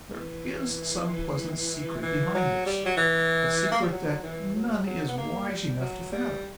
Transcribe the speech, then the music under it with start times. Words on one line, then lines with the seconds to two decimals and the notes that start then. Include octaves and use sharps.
There is some pleasant secret behind this, a secret that none is wise enough to fathom.
0.14 E3
2.03 E3
2.34 F#3
2.66 G3
2.86 F#3
2.97 E3
3.72 A#3
3.81 G3
3.92 F#3
4.23 E3
4.55 F#3
4.86 F#3
5.08 B3
5.18 A#3
5.49 G3
5.81 F#3
6.12 G3